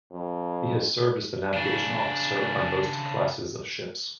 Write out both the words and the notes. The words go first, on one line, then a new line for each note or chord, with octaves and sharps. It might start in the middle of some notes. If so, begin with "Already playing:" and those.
He has served as the navigation officer on most classes of ships.
F2
C#3 D4